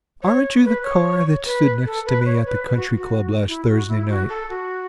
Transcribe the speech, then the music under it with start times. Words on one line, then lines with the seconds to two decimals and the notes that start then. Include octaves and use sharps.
"Aren't you the car that stood next to me at the country club last Thursday night?"
0.23 C#5
0.64 B4
0.83 C#5
1.45 B4
1.85 A4
2.06 B4
2.26 C#5
2.46 B4
2.66 B4
2.77 F#4
2.97 F#4
3.48 E4
3.68 F#4
3.88 E4
4.09 F#4
4.29 A4
4.49 F#4